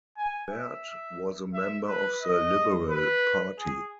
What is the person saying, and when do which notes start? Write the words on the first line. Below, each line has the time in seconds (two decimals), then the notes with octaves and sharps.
Baird was a member of the Liberal Party.
0.17 G#5
0.50 E5
1.54 E5
1.87 B4
2.22 D#5
2.90 B4
3.58 G#4